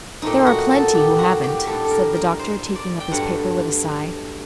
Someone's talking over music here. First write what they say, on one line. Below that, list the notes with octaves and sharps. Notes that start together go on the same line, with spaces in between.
"There are plenty who haven't," said the doctor, taking up his paper with a sigh.
A#2 A3 C4 D#4
F#4
A4
G4
F#4
G4
A2 G3 D4 A4
A4
A#4
A#4
C5
D5
G5
G2 F#3 A3 F#5